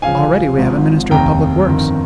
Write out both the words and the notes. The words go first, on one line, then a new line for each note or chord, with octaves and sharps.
Already we have a minister of public works.
C#2 C#3 F3 F5 G#5
G#1 G#2 F3
F1 D#2 D#3 G5 A#5
G1 F2 D#3